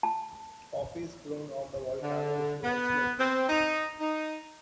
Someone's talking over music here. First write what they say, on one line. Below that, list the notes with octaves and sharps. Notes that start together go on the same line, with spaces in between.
Coffee is grown on the volcano's lower slopes.
A5
D3
B3
C4
D#4
D#4